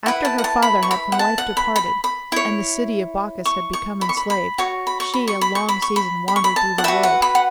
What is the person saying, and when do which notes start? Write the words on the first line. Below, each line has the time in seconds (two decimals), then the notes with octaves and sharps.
After her father had from life departed, And the city of Bacchus had become enslaved, She a long season wandered through the world.
0.06 E4 B4 F#5
0.25 A5
0.38 F#5
0.44 A5
0.62 B5
0.83 C#6
0.91 B5
1.12 F#5
1.19 A5
1.38 F#5
1.57 B5
1.76 B5
2.04 B5
2.32 E4 C#5
3.45 C#6
3.73 C#6
4.01 B5
4.09 C#6
4.17 B5
4.30 B5
4.58 F#4 C#5 C#6
4.87 B5
5.00 C#6
5.14 B5
5.28 C#6
5.41 B5
5.55 C#6
5.69 B5
5.82 C#6
5.96 B5
6.28 B5
6.36 C#6
6.44 B5
6.56 A5
6.78 F#5
6.84 F#4 B4 E5
7.03 F#5
7.22 B5
7.35 F#5